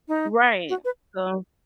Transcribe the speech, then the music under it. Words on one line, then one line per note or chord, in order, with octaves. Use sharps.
Right, so
D#4
F#4
B4